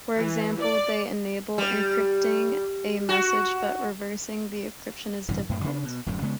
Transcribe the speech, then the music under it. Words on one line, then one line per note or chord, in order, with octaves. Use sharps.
For example, they enable encrypting a message, but reversing the encryption is difficult.
E3
D5
G3
F#4
A1 G2 C#3 E3
F#2 A2
C#3 D4
B2
D1 F#2 A2
C#3 G#3 B3